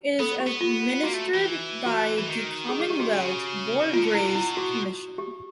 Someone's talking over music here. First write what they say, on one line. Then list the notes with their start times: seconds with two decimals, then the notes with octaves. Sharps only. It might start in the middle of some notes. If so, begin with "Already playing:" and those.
It is administered by the Commonwealth War Graves Commission.
0.20 B3 A4
0.40 G4
0.47 B3
0.61 F4
1.03 A#3 F#4
1.13 A3
1.34 E3
1.86 F#4
2.18 E3
2.28 D#3
2.69 G#4
2.80 G#4
2.90 G4
3.00 F#4
3.11 C#3
3.93 D#3 F4
4.04 D3
4.14 C3 E4
4.26 B2
4.35 E4
4.57 F#4
5.18 G4